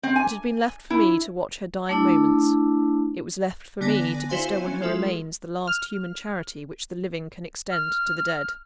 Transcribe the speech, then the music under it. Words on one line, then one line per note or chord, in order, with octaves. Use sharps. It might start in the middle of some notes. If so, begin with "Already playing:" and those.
It had been left for me to watch her dying moments; it was left for me to bestow on her remains the last human charity which the living can extend to the dead.
C4
G#5
E4
A3 D4 E4
D3 B3 D5 G#5 A#6 B6
E4 F#4 C5 F5 G#5 C6
F#3 C#4
F3 G#3 F4 F#4 A4 E5
F6
F6